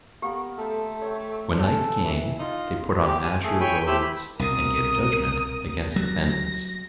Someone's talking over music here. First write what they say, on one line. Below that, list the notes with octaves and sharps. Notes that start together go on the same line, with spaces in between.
When night came, they put on azure robes and gave judgment against offenders.
A#3 B3 G4 A#4
A3 A4 C5
C#5 E5 G5
A4 C#5 F#5 G#5
E3
D#4 F4 C6
G4
G#5
A3 G#4
C#5 G5 G#5 B5
A3 E4 G4 C5 B5 E6
B5
C2 B2 A#4 D#6
F#3 G3 A#6